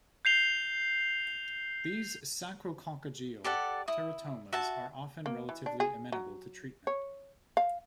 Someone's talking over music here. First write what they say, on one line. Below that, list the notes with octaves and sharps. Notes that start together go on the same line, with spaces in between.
These sacrococcygeal teratomas are often relatively amenable to treatment.
G6 C7 F7 G7
G4 A4 D5 F#5
E4 D#6
F#4 E5 A5
A#3
E3
D4
G#4
F#3
C#5
F5